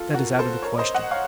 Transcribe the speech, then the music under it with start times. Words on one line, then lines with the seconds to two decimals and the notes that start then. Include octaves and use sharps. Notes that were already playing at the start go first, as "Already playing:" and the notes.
That is out of the question.
Already playing: F4 A4
0.14 F#4 A#4
0.39 A4 C5
0.62 A#4 C#5
0.79 C5 D#5
0.95 D#5 F#5
1.11 C#5 F5